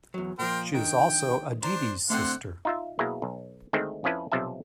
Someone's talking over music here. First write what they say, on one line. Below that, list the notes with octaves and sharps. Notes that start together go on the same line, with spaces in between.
She is also Aditi's sister.
E2 F#3
A#2 F3 A#4 C5 G5
D#3 D4 A#4 G5
D4 C5 A#5
D3 A3 C4 C5 F#5
D#4 F4 E5
B2 F#3 A#3 E4 G#4 A#4
B1
D2 D#3 G#3 A3 C4
F2 F3 C#4 E4 B4 A5
B1 C3 F3 E5 A5